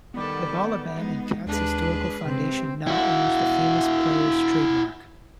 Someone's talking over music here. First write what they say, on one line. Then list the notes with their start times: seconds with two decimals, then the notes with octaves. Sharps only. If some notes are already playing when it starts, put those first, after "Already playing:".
The Balaban and Katz Historical Foundation now owns the Famous Players trademark.
0.14 D#3 G3 B3 A4
0.93 G#3 D#4
1.47 D#2 G#3 D4 G#4 B4
2.25 C3 C4
2.87 E4 F#4